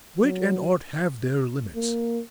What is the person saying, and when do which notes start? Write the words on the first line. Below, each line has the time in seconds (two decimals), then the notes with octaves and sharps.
Wit and art have their limits.
0.22 F#3
1.75 A#3